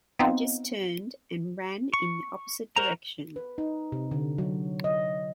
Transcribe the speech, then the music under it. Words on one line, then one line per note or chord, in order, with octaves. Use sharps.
I just turned and ran in the opposite direction.
B3 C4 D#4 F4
C#6
F#4 A#4 C5 A#5
B4
D#4
C3
D3
F#3
D#5